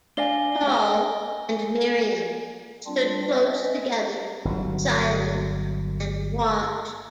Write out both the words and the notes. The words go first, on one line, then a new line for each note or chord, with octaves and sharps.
Paul and Miriam stood close together, silent, and watched.
D4 D5 F5 G#5 A#6 G7
C#4 G5
G3 C4 D4 F4
C4 C#4 D#5 E5
G1 F#3